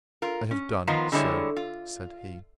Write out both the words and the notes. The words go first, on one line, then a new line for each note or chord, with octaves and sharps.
I have done, Sir, said he.
F4 A#4
C#4
D#3 F3 B3 F4 A#4
D3 G3 G#3 D#4 E4 C#5
F4